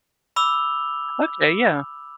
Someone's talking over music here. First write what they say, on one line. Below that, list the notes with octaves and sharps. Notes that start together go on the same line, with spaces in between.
Okay. Yeah.
B5 D6 E6 F7 G7